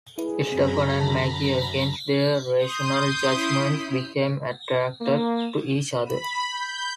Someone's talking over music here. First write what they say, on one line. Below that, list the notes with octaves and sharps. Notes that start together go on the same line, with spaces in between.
Stephen and Maggie, against their rational judgments, become attracted to each other.
D2 G#3 E4 G#4 B4
F#2 C4 A#5 B5
D3 A5
C6 D#6 G6
C#4 E4
A#3
B5
G6